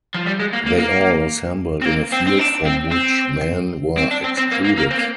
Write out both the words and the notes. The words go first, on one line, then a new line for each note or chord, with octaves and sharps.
They all assembled in a field from which men were excluded.
F3
G3
G#3
A#3
A#3
A#3
C4
A#3
C4
C4
D4
C4
C4
C4
D4
C4
C4
A#3
A#3
A#3
C4
A#3